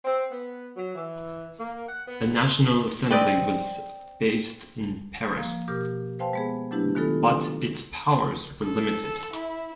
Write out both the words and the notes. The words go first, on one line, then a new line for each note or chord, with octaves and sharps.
A National Assembly was based in Paris, but its powers were limited.
C4
B3
F#3
E3
A#3
F#5
B3
C4 B4 D5 D#5
F3 A#3
B2 G4 A#4 D6 F6
B4 C5 F5 G5 A5 C6
G#3 B3 G#4
F#3 A3 D4 E4 G4 B4
D#3 G#3 B3 D#4 F4 A4
A4
E4